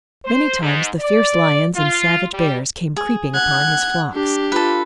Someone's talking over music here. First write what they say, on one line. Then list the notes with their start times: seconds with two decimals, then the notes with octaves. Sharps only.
Many times the fierce lions and savage bears came creeping upon his flocks.
0.25 C5
0.61 G#2
0.99 D5
1.76 F4
2.34 G3
2.96 G#4
3.34 F#5 F#6 G#6
4.12 D4 G4
4.52 F4 A4 B4